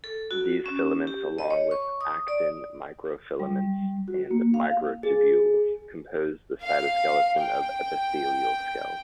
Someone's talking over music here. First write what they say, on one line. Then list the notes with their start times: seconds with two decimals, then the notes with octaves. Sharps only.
These filaments, along with actin microfilaments and microtubules, compose the cytoskeleton of epithelial cells.
0.04 A4
0.31 F#4
0.66 C#4
1.07 G4
1.38 D#5
1.50 C#5
1.71 C#6
2.01 D#6
2.28 D5
3.40 G3
4.08 F#4
4.31 A#3
4.54 F5
5.03 G#4
6.62 F5
7.41 G5